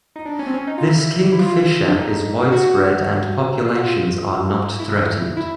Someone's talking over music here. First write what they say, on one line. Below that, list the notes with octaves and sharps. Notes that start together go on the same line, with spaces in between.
This kingfisher is widespread and populations are not threatened.
D#4
D4
C#4
C4
C#4
D#4
F4
E4
E4
F4
D4
D#4
F#4
F4
F#4
F4
E4
E4